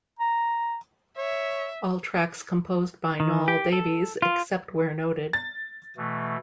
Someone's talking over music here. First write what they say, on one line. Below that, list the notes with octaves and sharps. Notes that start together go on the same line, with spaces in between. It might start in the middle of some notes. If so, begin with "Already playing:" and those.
All tracks composed by Neol Davies except where noted.
A#5
C#5 E5
D#3
G4
A4
F4
A6
B2 E3 A3